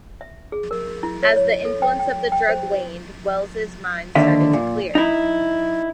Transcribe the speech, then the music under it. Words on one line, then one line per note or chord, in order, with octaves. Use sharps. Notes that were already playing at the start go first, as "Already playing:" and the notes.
As the influence of the drug waned, Wells' mind started to clear.
E5
G#4
A#4
E4
C#5
C#5
A4
G5
G5
G5
C5
D#2 D3 E5
A#2
D#4 E4